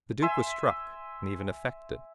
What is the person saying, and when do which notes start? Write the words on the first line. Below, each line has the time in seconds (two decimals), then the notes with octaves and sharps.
The Duke was struck, and even affected.
0.22 E5 G#5 C6